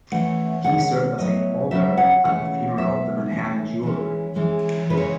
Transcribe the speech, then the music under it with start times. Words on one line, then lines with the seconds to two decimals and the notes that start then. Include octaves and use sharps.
He served as a pall-bearer at the funeral of the Manhattan jeweler.
0.12 E3 A3 C#4 F#5
0.64 D#3 G#3 C#4 F#5
1.18 A2 F#3 B3 D#5
1.71 C#3 F#3 C#4 E5
1.97 F#5
2.24 C#3 E3 A3 C#4 F#5
2.77 B2 F#3 B3 E5
3.30 E3 A3 C#4
3.83 E3 G#3 C#4
4.36 E3 G#3 C#4
4.90 C#3 E3 G#3 B4
4.97 C#5